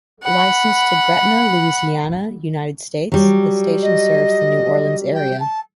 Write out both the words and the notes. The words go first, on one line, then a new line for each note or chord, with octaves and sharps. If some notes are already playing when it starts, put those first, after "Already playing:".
Licensed to Gretna, Louisiana, United States, the station serves the New Orleans area.
F#5 B5
F#3 G3
D#5
G5
A5